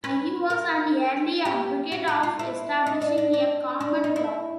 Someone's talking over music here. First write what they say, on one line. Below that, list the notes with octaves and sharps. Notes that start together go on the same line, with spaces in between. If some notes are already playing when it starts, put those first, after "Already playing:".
Agee was an early advocate of establishing a common ground.
B4
A#4
G4
F#4
F4
F4
E4
D#4
D4
D4
D4
D4
D#4
E4